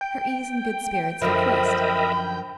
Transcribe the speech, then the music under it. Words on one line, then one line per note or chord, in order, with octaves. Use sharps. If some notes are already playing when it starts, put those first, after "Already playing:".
Her ease and good spirits increased.
G5
F#2 D3 F3 A#4 D#5 E5 B5